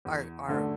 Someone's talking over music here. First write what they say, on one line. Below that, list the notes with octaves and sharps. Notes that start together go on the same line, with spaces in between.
our our
E2
D3 A3 D4